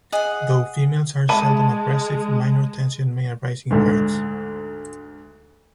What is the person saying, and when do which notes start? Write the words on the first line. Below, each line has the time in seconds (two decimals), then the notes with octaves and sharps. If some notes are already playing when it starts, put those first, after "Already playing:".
Though females are seldom aggressive, minor tension may arise in herds.
0.12 G#4 D#5 F#5
1.29 G#3 E5 A5 B5 D#7
3.70 D2 G#2